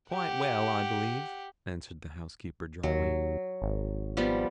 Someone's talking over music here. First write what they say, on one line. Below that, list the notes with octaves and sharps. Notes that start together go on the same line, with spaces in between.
'Quite well, I believe,' answered the housekeeper, drily.
G4 F#5
D#2 F#3
G#1
F3 G3 B3